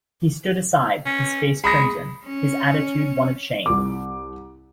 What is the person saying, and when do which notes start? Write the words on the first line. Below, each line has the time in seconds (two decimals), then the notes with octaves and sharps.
He stood aside, his face crimson, his attitude one of shame.
1.05 C#4
1.64 G#3 B5 D#6 A#6
2.26 C#4
3.66 C2 D6